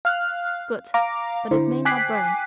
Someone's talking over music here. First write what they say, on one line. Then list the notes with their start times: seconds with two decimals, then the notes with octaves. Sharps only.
Good, but it may not burn.
0.05 F5 F6 F#6
0.94 F5 A#5 D6
1.51 D3 E4 C5
1.85 G5 G#5 D6 F#6 B6 C7